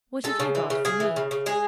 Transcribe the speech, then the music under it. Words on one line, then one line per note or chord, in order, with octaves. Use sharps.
What have you got for me?'
G#3 A4
C#3
E3
C#3
C#3 G#4
E3
C#3
C#3
G#3 G#4